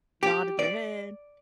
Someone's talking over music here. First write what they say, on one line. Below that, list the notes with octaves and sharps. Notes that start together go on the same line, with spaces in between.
Nodded their head.
G4
D5